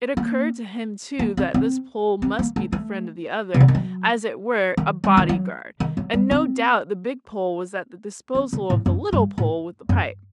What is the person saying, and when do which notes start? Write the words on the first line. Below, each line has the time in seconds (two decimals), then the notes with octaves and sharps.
It occurred to him, too, that this Pole must be the friend of the other, as it were, a "bodyguard," and no doubt the big Pole was at the disposal of the little Pole with the pipe.
0.17 A#3
1.19 A#3
1.37 C4
1.54 C4
2.22 C4
2.39 A#3
2.56 A3
2.72 A3
3.54 C3
3.60 D3
3.68 D#3
3.75 F#3
4.77 D#3
5.04 G3
5.17 D#3
5.29 F#3
5.80 D#3
5.97 F#3
6.14 G3
6.31 C4
8.35 C4
8.53 D3
8.70 A2
8.86 F#2
9.13 G2
9.38 A2
9.89 F#2